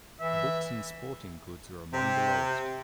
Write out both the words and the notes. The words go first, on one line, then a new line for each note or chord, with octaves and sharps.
Books and sporting goods are among the lowest.
E3 E5
C3